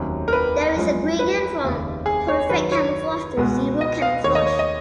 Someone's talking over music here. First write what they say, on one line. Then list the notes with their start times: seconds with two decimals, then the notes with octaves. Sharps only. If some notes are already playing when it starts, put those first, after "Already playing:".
There is a gradient from perfect camouflage to zero camouflage.
Already playing: F1 D#2 D#3 F#3 C#4
0.28 A#4
0.33 B4
0.76 F#2 F3 G#3 C#4
1.19 B4
1.63 F1 D#2 C#3
2.06 G#4
2.28 C#5
2.49 F#2 D#3 F#3 B4
2.72 C#5
3.37 C#2 B2 G#3 B3
3.81 D#5
4.02 F5
4.24 D#2 D#3 A#3 C#5
4.35 D#5
4.47 C#5
4.59 D#5